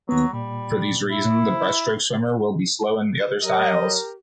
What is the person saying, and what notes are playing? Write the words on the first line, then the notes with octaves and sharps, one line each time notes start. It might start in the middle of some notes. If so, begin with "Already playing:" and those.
For these reason the breaststroke swimmer, will be slow in the other styles.
D#2 F#3 B3
A#2 G3
E4
F#3 G4 A#4 D#5